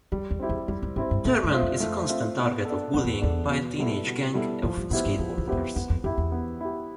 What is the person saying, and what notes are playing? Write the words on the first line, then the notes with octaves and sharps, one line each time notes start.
Thurman is a constant target of bullying by a teenage gang of skateboarders.
F2 G3
E2
C4 E4 G4
E2
F2 G3
F2
G2 C4 E4 G4
G2
A2 A3
G2
C4 F4 C5 E5
F2
A3
C4 F4 C5 E5
B3
A4
D4
F2 B3
E2
E2 D4 A4
B2
G3 B3 E4 A4
B2
G3 B3 E4 A4
F2 F3
G2
A2 B3 E4 G4 C5
G2
E2 F3
E2
G2 B3 E4 G4 C5
F2
F2 B3
F2
F2 E4 G4
E2
B3
E4 G4